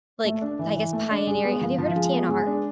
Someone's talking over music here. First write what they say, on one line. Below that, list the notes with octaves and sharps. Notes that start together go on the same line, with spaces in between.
like, I guess, pioneering Have you heard of TNR?
A3
D4
E3
E3
A3
D4
G#3
B3
F3
F3
G#3
B3
G#3
D4